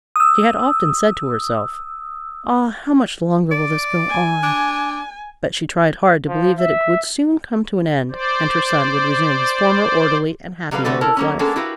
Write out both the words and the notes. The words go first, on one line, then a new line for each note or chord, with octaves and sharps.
She had often said to herself, "Ah! how much longer will this go on?" but she tried hard to believe that it would soon come to an end, and her son would resume his former orderly and happy mode of life.
D#6 E6
D5
G#5
D4
F3
E5
C5 D5
F#3 G3 F#4 A4 B4 F5
D3 A3 F#4 B4 D5 F#5
E4 A4 A#4 A5
F#3 A#3 C#4
G#3 A#3 B3 C#4 D4 A4
E4 F#4 G4 A#4 B4 F5